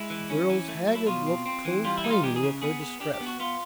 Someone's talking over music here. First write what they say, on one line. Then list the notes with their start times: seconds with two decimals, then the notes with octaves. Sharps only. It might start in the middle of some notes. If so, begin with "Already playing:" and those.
The girl's haggard look told plainly of her distress.
Already playing: G#3 E4
0.10 E3
0.30 C#4
0.50 E3
0.68 A3
0.87 F#3
0.95 E4
1.07 B2 F4
1.27 C4
1.46 C4
1.65 E3
1.85 G3 F4
1.98 E4
2.04 D#4
2.10 F4
2.23 E3 G4
2.36 G#4
2.43 C#3
2.62 B3 G#4
2.81 B3
3.00 D4 G4
3.14 G4
3.20 B3
3.27 F#4
3.40 B3 F4